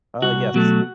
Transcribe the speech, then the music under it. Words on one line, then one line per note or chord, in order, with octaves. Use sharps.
Uh, yes.
C2 F#4
B2 F#3 A3